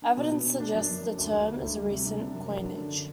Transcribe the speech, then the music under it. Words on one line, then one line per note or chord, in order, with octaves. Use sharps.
Evidence suggests the term is a recent coinage.
D4
B2
B2
D4
D4
F#2
F#2
D4
D2
D2
D2
D2
G3
C3
D4
C3
F#2
F#2
D4
D3